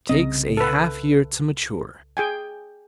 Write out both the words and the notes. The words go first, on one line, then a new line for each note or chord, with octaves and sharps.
Takes a half year to mature.
C2 C#3 C4 D#5
A4 B4
G#4 G5 G#5